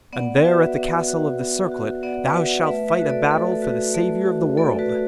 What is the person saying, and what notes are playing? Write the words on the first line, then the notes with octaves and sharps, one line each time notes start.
And there at the Castle of the Circlet thou shalt fight a battle for the Saviour of the world.
B3 D5 F#5
F#4 B4 E5
B3
F#4
B3
F#4
B3 D5 F#5
B4 E5
F#4
D5 F#5
A3 B4 E5
B4 E5
F#4
A4 D5
A3 A4
A4
F#4 B4
A3
F#4
A3 A4 D5
F#4 B4
F#4